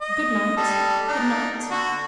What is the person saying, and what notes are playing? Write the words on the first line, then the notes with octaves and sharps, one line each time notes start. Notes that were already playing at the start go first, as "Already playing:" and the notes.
Good-night. Good-night.
D#5
G3 A4
D4 D#4
D3 F#4